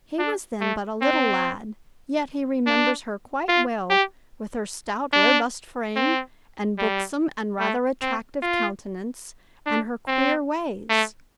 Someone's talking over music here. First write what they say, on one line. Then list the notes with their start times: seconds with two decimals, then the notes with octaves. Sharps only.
He was then but a little lad, yet he remembers her quite well, with her stout, robust frame, and buxom and rather attractive countenance, and her queer ways.
0.19 D4
0.61 A3
1.01 C4
2.66 D4
3.49 F4
3.90 G4
5.13 D4
5.96 C4
6.78 G3
7.59 A3
8.01 C4
8.42 F4
9.66 D4
10.07 C4
10.90 A3